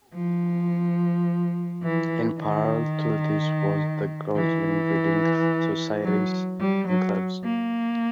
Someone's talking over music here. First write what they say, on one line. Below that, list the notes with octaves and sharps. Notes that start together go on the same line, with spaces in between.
In parallel to this was the growth in reading societies and clubs.
F3
E3
D#3
E3
F#3
G3
F#3
A#3